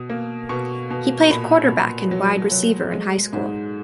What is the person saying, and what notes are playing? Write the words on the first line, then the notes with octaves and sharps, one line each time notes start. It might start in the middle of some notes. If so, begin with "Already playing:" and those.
He played quarterback and wide receiver in high school.
Already playing: B2 D#6
A#3
B2 C#6
B2
A#2 B5
A#2
F#3
F#3
G#3
G#2